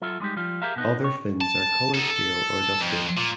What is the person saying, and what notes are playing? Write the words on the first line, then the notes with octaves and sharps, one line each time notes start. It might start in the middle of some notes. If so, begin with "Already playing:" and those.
Other fins are colored pale or dusky.
F#3 F4 A4 E5
G3 G#3 D#4 G4
F3 G3 F4
G4 G#4 A#4 E5 F5
B2 B3 D#4
C3 C#5
A5
D#4 A4
A4
F2
A#2